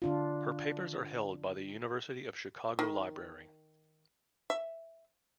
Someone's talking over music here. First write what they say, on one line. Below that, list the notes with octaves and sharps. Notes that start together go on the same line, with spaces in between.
Her papers are held by the University of Chicago Library.
D3 D4 F4
D#3
E5